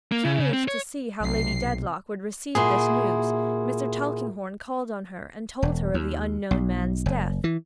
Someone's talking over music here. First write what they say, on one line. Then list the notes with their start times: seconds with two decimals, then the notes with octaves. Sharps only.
Curious to see how Lady Dedlock would receive this news, Mr. Tulkinghorn called on her and told her of the unknown man's death.
0.12 A#3
0.25 C#3
0.39 C#3
0.53 C4
0.68 C#5
1.20 B1 C3 C7
2.55 A#2 E4 F#4 G#4 C6
5.63 E1
5.94 D#2
6.51 B1
7.06 F#1
7.44 E3